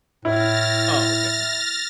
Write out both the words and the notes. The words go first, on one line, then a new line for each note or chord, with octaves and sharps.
Oh, okay.
A2 E4 F6 A6 A#6